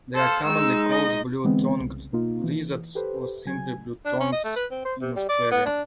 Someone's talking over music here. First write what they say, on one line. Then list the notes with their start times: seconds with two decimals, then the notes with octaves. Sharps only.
They are commonly called blue-tongued lizards or simply blue-tongues in Australia.
0.15 A4 C5 F5
0.45 G#3 D#4 E6
0.89 D#5
1.44 D3 E3 G#3 B3 C4
1.77 C2 C#3
2.13 B2 A#3 D#4 F4
2.44 E3
2.95 G4 A4 B4 C5
3.45 C#3 F#3 G#5 G#6
4.05 D4
4.20 C#4
4.32 D#5
4.44 A3
4.56 B4
4.71 C4
4.85 C5
5.01 C3
5.16 G3
5.29 D5
5.51 B3
5.66 D4